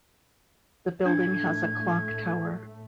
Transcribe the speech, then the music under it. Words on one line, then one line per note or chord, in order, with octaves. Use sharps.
The building has a clock tower.
A2 A3 D4 G#6